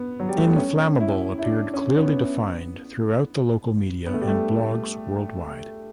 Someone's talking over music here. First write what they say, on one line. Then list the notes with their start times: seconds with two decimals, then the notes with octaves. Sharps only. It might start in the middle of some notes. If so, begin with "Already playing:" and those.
"Inflamable" appeared clearly defined throughout the local media and blogs worldwide.
Already playing: B3
0.20 F#3
0.29 G3
0.38 A3
0.47 B3
0.56 C#4
1.00 E4
1.39 E4
1.44 D4
1.74 C#4
1.97 C#4
2.02 B3
4.06 B3
4.14 A3
4.21 G3
4.28 A3